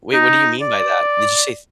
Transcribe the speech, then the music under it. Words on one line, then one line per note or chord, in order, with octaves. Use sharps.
Wait, what do you mean by that? Did you say
D#4
D5